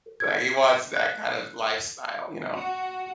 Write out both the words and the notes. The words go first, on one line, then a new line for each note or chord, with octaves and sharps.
Like, he wants that kind of lifestyle, you know?
G#6
F#6
F#4